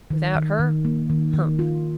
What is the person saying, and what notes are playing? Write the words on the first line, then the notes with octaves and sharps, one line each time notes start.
Without her? Humph!
D#3
D#3
D#3
A#3
D#3
D#3
F4